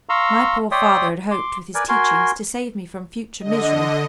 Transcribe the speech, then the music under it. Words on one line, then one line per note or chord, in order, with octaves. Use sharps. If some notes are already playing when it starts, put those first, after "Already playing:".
My poor father had hoped, with his teachings, to save me from future misery.
F5 A#5 C6 C#6 E6
C#5 D5 E5 G5 C6 D#6
C6 D6
A#4 B4 D5 G#5
F#4 A#4 G#5 C6
D3 D#5